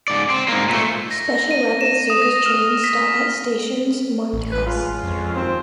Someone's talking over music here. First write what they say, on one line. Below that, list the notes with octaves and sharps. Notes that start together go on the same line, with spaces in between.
Special Rapid Service trains stop at stations marked "S".
G#2 D5
C4
G#2 A#3
A#2 A3
A#6
A#6
D#7
E7
D#6
A#6
F6
B6
A1
E3 B4
G#3 C#4 F4
F2
D#2 F#3 C4